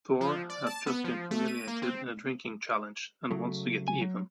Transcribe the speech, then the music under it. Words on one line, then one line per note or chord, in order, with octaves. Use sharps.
Thor has just been humiliated in a drinking challenge and wants to get even.
F3
D5
A5
B3
F3
A3
D#7
A#3
C4
C#3 F#3 A3
G#5
F#3